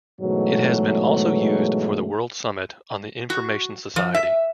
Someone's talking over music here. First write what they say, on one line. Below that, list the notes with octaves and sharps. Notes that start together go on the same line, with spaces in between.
It has been also used for the World Summit on the Information Society.
G#2 B2 E3 F#3 G#3 A3
F#4
F3
E5